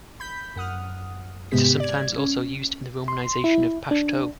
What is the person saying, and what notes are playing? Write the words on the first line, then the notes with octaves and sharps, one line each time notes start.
It is sometimes also used in the romanization of Pashto.
B5 G6 B6
F#2 F#5 D#6 F6
G#2 C3 G#3 B3 G4 B6
D5 G#6
C#4
C6
E4
D4